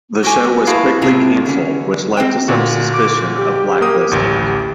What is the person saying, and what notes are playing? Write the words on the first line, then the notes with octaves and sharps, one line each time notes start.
The show was quickly cancelled, which led to some suspicion of blacklisting.
F#4 G4 C5 G#5
G3
E4 F#4 G#4 B4 F5 A5
A2 C3 G#3 C4 F4 A#5
D3 C#4
C4 C5 G5
A#2 D3 F#4
D6
G4
A#3 A#4 D#6
A1 D2